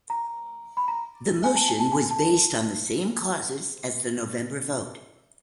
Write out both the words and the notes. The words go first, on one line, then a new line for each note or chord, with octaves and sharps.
The motion was based on the same causes as the November vote.
A#5
B5
A#5
G#5
A5
G#5
A5
G#5
A5